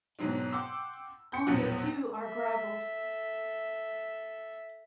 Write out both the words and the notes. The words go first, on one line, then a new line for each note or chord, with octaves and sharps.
Only a few are graveled.
G#2 B2 F#3 C4 D4
F#5 G5 C6 D6 E6
G6 C#7
A#1 E2 B2 F3 F#3 F#5
A4 E5